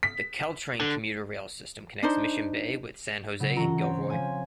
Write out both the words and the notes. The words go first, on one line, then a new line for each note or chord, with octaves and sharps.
The Caltrain commuter rail system connects Mission Bay with San Jose and Gilroy.
B6
D3
D4 D#4 C5
C#3 F#3
E3 F4 A#5 C#6
C4 C#5 F#5
F3 G#5